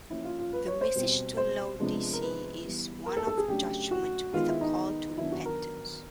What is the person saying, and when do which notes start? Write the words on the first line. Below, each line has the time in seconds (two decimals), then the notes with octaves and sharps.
The message to Laodicea is one of judgement with a call to repentance.
0.10 F3 A#3 C#4 E4
0.24 F4
0.38 F4
0.53 B4
0.67 C#5
0.81 C5
0.95 B2 G3 C4
1.37 C5
1.79 C3 F3 G#3 B3 D4
2.13 A#4
2.22 B4
2.64 E3 G3 B3
3.06 A#4
3.17 A4
3.27 A4
3.37 G#4
3.48 C#3 F#3 A3 D4 G4
3.91 F#4
4.32 D#3 G#3 B3 F4
4.48 E4
4.61 D#4
5.17 D#3 F#3 B3 D4 E4
5.32 F#4
5.45 A#4